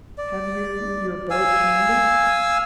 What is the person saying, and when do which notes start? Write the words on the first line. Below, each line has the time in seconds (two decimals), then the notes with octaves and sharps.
"Have you your boat handy?"
0.18 D5
1.30 F5 G#5 E6